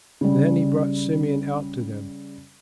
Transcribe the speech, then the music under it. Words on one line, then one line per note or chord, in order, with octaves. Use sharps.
Then he brought Simeon out to them.
C#3 G3